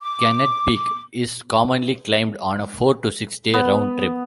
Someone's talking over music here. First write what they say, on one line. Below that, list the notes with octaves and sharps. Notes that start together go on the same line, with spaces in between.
Gannett Peak is commonly climbed on a four- to six-day round-trip.
D6
B3